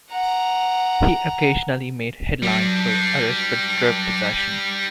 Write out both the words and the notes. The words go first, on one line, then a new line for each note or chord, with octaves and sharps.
He occasionally made headlines for arrests for drug possession.
F#5 A#5
F#3 G3 D4